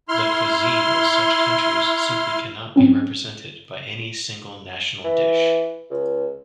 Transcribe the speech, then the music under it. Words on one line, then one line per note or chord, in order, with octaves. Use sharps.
The cuisine of such countries simply cannot be represented by any single national dish.
E4 C6 F6
G#2 F#3 C4 C#4
E3
C#2